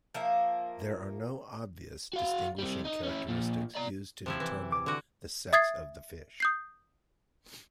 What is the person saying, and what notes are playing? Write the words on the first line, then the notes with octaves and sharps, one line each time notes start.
There are no obvious distinguishing characteristics used to determine the sex of the fish.
F3 A#3 E5
F#4 F5
G3 C4
D#4 D#5
C#4 E4
A#2 F3
D5 A#5
C3 F3 E4
E3
D6
D3 F#4
E5 D#6 G#6 A6 C7
D#6 G6 C7